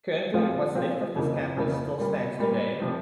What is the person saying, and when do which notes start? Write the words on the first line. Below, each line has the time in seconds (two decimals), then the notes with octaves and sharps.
Currently, what's left of this campus still stands today.
0.34 A#2 F3 C4 F4
0.75 A#2 F3 C4 F4
1.16 F2 C#3 E3 A#3
1.57 F2 C#3 E3 A#3
1.98 A#2 G3 A#3
2.39 A#2 G3 A#3
2.80 C3 F3 C4